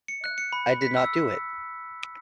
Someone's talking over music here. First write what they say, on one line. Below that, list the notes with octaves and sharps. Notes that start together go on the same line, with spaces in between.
I did not do it.
C#7
F#6
C#7
B5
B5
B6
E6